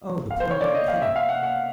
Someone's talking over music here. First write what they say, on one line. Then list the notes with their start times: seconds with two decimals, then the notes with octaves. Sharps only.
Oh, the poor little kitty!
0.31 F5
0.40 C5
0.51 C#5
0.61 D5
0.75 D#5
0.88 F5
1.02 E5
1.16 F5
1.29 F#5
1.43 F#5